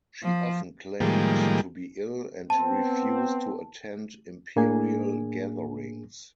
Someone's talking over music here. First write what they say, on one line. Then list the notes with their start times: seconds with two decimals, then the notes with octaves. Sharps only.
She often claimed to be ill and refused to attend imperial gatherings.
0.23 F3
1.00 A2 D#3 F3 G3 G#3 A#3
2.50 B3 C4 A5
4.56 A2 A#3 D4 G#4 G#5